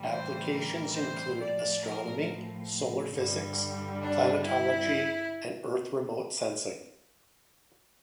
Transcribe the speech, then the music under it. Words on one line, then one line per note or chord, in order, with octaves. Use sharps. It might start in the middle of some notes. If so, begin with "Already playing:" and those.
Applications include astronomy, solar physics, planetology, and Earth remote sensing.
Already playing: A2 E3 G3
C5
A#4
C5
A2 F3 D5
A#4
G2 D3 G3
D4
E4